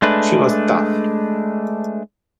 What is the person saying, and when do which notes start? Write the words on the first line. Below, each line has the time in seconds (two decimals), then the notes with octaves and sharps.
She was tough.
0.02 G#3 A3 D4 B4